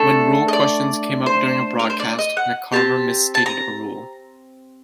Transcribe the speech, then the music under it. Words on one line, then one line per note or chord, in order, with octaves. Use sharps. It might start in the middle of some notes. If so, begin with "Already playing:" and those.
When rule questions came up during a broadcast, McCarver misstated a rule.
Already playing: A3 D4 A4
D#5
D5
C5
A#4
C5
D5
D#5
F#5
C4 G4 A5
A5
A#5